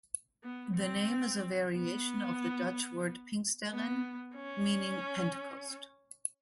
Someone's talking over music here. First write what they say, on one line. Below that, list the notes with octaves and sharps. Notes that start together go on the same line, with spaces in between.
The name is a variation of the Dutch word "Pinksteren", meaning "Pentecost".
B3
C4
B3
B3
C#4